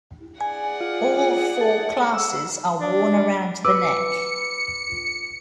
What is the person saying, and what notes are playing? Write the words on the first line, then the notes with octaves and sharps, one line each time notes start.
All four classes are worn around the neck.
G#4 D5 F#5 G#5
F4
A4
E6
D4
B4 D6 E6 C#7